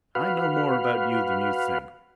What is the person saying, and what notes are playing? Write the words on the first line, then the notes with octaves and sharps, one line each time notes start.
I know more about you than you think.
F#4 B4 F5